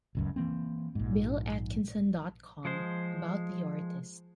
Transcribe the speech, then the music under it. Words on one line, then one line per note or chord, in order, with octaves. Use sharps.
BillAtkinson dot com About The Artist.
D#1 C#2 F#2
E3 A#3 C4
A#1 G#2
F3 G#3 C5